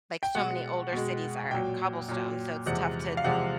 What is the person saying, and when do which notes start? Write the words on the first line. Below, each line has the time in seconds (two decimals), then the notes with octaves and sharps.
like, so many older cities are Cobblestone, so it's tough to
0.23 G5
0.35 B2 G#3 F#5
0.93 B2 G#3
1.50 A#2 F#3 G5
2.08 A#2 F#3
2.66 E2 C3 F3 G#3 F#5
3.17 F5
3.24 E2 C3 F3 G#3 F#5